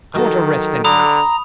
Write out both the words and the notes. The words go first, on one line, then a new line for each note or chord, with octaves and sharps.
"I want a rest anyhow...."
D#3 F#3 F#4 A4
D3 A#5 B5 D#6 F7